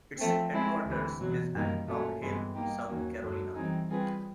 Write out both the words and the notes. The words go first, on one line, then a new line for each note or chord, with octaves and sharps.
Its headquarters is at Rock Hill, South Carolina.
F3 A3 C4
G#3 C4 E4 G#4
D2 C3 E3
E2 B2 F#3
F#2 D#3 G3 A#3 D#4
A#2 F#3 A3 C#4
G2 E3 G#3 B3
G3 A#3 D#4 G4
D#2 D#3 F#3 A#3 C#4
F#2 D3 F#3
E3 G3 C4 D#4 G#4
G3 C4 F4 G#4 B4